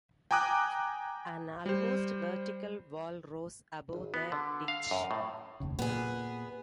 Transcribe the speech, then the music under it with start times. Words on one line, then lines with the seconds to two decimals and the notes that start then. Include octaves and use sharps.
An almost vertical wall rose above the ditch.
0.31 G5 G#5 A#5 D6 D#6 F#6
1.66 G3 C5
3.93 G#1
4.14 B3
4.32 D3
4.68 F5
4.91 F#2
5.11 A2
5.60 F1 D#2 C#3
5.79 A#2 B3 G#4